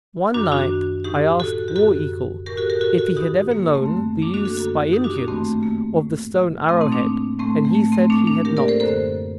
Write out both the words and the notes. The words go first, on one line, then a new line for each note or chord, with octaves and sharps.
One night I asked War Eagle if he had ever known the use, by Indians, of the stone arrow-head, and he said he had not.
F#2 D#3 D4 F#4
D4 F#4
A2 D#4 G4
F#4 A4
G4
F#2 D3 F#4 A4
A2 G4 A#4
F#4 A4
G4 A#4
F#4 A4
F#4 A4
G2 D#3 D#4 G4
A#3
A#3
A3 C4
F#2 D3
A#3 D4
D4 F#4
F#4 A4
F#2 D3 F#4 A4
D#4 G4
D4 F#4
A#3 D4
G2 D#3 A3 C4
A3
A#3
A2
A2 A3 C4
C4 D#4
A#3 D4
A2 A3 C4
A3
A#3
A3 C4
A2 A#3 D4
A#3 D4
G4 A#4
A#4 D5
A4 C5
F#2 D3 A4 C5